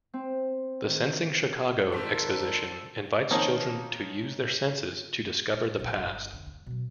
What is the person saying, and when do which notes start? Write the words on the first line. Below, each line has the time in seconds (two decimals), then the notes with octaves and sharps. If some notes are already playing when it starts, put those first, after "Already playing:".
The "Sensing Chicago" exhibition invites children to use their senses to discover the past.
0.14 C4
0.87 D#3
1.92 G#1 G#2 G3 C4 A4 A#4 C5 B6
3.31 D#3 F3 A#3 C4 C#4 D#4
5.79 A#1
5.96 G1
6.33 F2 D3
6.46 D2
6.66 B2 F#3